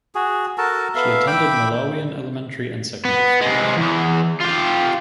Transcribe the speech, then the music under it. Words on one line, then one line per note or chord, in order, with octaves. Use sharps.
She attended Malawian elementary and secondary schools.
F#4 G#4
F#4 A4 A#4 A5
B3 A4 E5 F5
E5 G5 B5 D6
B3
C3 G#3
E2 E3
F4 G4